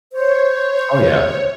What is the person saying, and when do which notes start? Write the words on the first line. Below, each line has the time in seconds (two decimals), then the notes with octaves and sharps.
Oh yeah.
0.13 C5 C#5